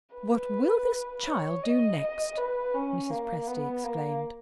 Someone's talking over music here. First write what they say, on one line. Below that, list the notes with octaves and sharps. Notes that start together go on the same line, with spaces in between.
"What will this child do next?" Mrs. Presty exclaimed.
B4
C#5
D#5
B4
C#4
A#3
B3
A#3